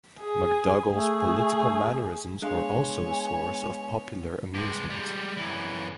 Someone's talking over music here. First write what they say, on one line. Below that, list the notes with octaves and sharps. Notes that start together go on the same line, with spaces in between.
McDougall's political mannerisms were also a source of popular amusement.
G#4
A3 G#4
G#3 B3 D4 C#5 F5 G#5 C6
G2 G#3
G3 G#3
F#2 E3